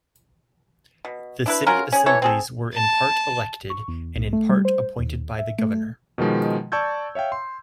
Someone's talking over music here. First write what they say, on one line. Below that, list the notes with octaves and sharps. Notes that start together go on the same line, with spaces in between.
The city assemblies were in part elected, and in part appointed by the governor.
B2
D4 E4 B4
C#4 F4 F#4 A#4
C#4 G#4
E3 A4 C#5
C4 G#4 A4
A5
C#6
E2
B1
A3
G3
C5
D#2
E5
A3
B2 D#3 F3 G#3
D5 A5 C#6 E6 G6 G#6
C#5 E5 F5 G5
C6